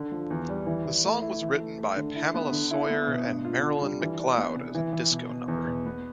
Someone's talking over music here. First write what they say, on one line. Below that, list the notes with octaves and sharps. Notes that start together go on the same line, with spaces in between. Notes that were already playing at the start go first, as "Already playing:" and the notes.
The song was written by Pamela Sawyer and Marilyn McLeod as a disco number.
Already playing: D3
F3
E2
G3
E3
E3
A3
E4
E3
A3
A3
D3
E4
B3
D3
E4
B3
B2
G2
F4
D3
G3
E3
D4
B3
C3
E3
E3
B2
B2
E2
B2
B3